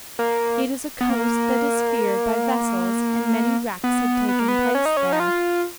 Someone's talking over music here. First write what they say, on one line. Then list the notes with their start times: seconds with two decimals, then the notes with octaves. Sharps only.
It is a coast that is feared by vessels and many wrecks have taken place there.
0.19 A#3
1.01 B3
1.10 A#3
3.84 B3
4.29 B3
4.39 A#3
4.48 B3
4.75 C#4
4.86 D#4
4.97 C#4
5.13 D#4
5.20 F4